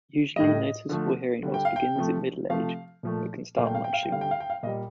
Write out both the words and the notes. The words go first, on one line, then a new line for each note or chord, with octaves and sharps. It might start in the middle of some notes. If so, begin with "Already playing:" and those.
Usually noticeable hearing loss begins at middle-age, but can start much sooner.
A2 G3 D#5
D3 F3 A3
D3 G3
G5
F5
G5
C3 F3 A3
C3 F3 A3 F5
A#2 F3 A3
A#2 A3 F5
G5
F5
G5
F5
G5
D3 G3 F5
G5
F5
G5
F5
A#2 G3 D#5